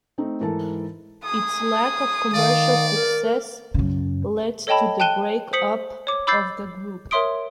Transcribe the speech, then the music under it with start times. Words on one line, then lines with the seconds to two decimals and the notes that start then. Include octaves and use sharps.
Its lack of commercial success led to the break up of the group.
0.18 A3 C4 D#4
0.40 G#2 E3 A4 A#4 A5
1.25 G#4 D#6
2.34 D#3 D5 F5
2.94 A#4
3.74 F#2 C#3
4.67 A4 C#5 D#5 G5 A5 B5
5.00 G5 A5 F#6 D#7 G7
5.53 C5 D#6 B6 C#7 F#7
6.07 C#5 D6
6.27 B5 D6 E6 G6 A6 C7
7.11 A#4 C#5 E5 C6 D#6 D7